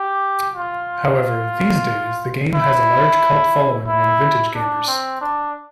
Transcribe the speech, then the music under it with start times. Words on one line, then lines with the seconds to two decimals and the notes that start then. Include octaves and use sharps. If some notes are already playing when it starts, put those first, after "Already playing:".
However, these days the game has a large cult following among vintage gamers.
Already playing: G4
0.55 F4
2.55 E4
3.87 E4
4.55 D4
4.87 C4
5.21 D4